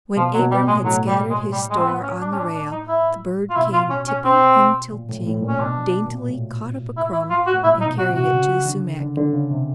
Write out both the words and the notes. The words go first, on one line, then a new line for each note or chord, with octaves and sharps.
When Abram had scattered his store on the rail, the bird came tipping and tilting, daintily caught up a crumb, and carried it to the sumac.
B2 F3
F#3
B2
G3
A2 G#3
A2 F#3
G3
G#3
G3
G#3
C4
B3
C#4
D4
C#4
D4
D4
D#4
E4
F4
B2 E4
F4
C#4
C#4
C4
A#2
A2
A2
A#2
C#4
B2 D4
A#2
A2
E4
E4
F4
F#4
A2
A#2 E4
D#4
B2
F#4
C3
F#4
C#3
D3
D3
D3
C#3
C3